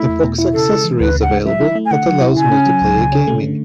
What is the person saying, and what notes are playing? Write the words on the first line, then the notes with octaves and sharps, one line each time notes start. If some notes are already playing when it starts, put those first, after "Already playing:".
A box accessory is available that allows multiplayer gaming.
Already playing: A3 E4
E2
B2
E4
C#3 A4
G#3
E3
D2 B4
C#3
F#5
G#3
F#3 E5
E4
A3
G#5
D3 F#5
F#3
E4
C#3 G#5
C#4
F#3
C#2
C#3
C#4
A3
D3